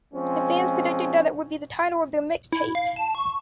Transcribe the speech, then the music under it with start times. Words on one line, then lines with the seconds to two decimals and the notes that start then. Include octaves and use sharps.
The fans predicted that it would be the title of their “mixtape”.
0.14 F3 G#3 C4 C#4
2.53 E4
2.75 F5
2.96 A5
3.15 C#6